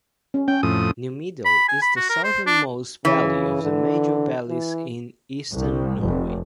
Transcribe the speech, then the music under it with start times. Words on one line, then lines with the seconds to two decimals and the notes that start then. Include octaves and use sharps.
Numedal is the southernmost valley of the major valleys in Eastern Norway.
0.34 C#4
0.48 C#4 G5
0.63 F2 A2 D#6
1.45 B5
1.68 G#5
1.82 B5
1.96 F#4
2.09 A#4
2.23 C5
2.46 D4
3.05 C#3 E3
3.63 D3
4.49 E3
5.50 C2
5.99 F1